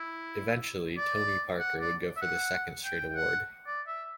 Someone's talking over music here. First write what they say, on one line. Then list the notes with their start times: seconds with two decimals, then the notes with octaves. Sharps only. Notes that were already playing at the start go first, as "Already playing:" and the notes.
Eventually, Tony Parker would go for the second straight award.
Already playing: E4
0.97 D5
1.60 F#5
1.81 D5
2.17 E5
2.22 F#5
2.85 G5
3.16 F#5
3.67 D5
3.88 E5